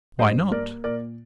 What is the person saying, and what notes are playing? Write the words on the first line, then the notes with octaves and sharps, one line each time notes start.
"Why not?"
G2 C5 D#5
A#3 A#4 D5
A#2 A#4 D5